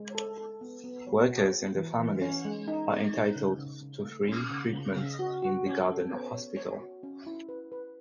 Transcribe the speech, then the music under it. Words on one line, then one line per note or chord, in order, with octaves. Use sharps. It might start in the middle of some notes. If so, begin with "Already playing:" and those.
Workers and their families are entitled to free treatment in the garden hospital.
Already playing: G#3
A4
A4
B3
B3
C#5
F#4
G#4
E3
E3
C#4
G#3
D#4
G#3
D#4
C#3
C#3
C#3
A3
C#4
C#3
C#3
C#3
F#4
F#4
C#4
A4
B3
C#5
C#5
F#4
C#4
E4
B4
B4